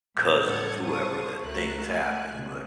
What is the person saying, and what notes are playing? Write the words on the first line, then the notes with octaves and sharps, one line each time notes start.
cousins, whoever that things happen but
A#2 E3 F#3
A2 G3 A4 F#5 G#6 C#7
C5 A5 C#6 D#6
C#2 A3 F#4 A#4 F#6
A3 G#5 F#6
C#2 B2